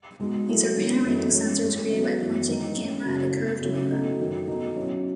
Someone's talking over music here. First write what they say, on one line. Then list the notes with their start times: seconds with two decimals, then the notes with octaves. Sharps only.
These are panoramic sensors created by pointing a camera at a curved mirror.
0.19 B2 G#3 D#4
0.49 A2 F#3 A3 E4
0.76 G#2 D#3 G#3 C#4
1.05 F#2 E3 A3 D#4
1.34 A2 G#3 C#4
1.62 A2 G#3 C#4
1.90 D#3 F#3 B3 D#4
2.20 F#2 E3 B3
2.48 D#3 G#3 D#4
2.77 A2 G#3 C#4 E4
3.05 F#2 C#3 F#3
3.33 B2 A3 E4
3.61 C#3 F#3 C#4 E4
3.90 B2 A3 D#4
4.19 F#2 D#3 A3
4.48 B2 A3 D#4
4.76 B2 F#3 C#4 E4